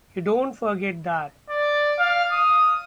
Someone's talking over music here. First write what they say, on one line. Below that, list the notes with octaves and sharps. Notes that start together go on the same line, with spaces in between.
You don't forget that.
D5
F5
D#6